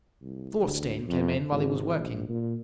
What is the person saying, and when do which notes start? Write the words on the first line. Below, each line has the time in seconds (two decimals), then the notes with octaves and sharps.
Thorstein came in while he was working.
0.22 C2
0.61 D2
1.08 F2
1.51 G#1
1.97 A#1
2.29 A#2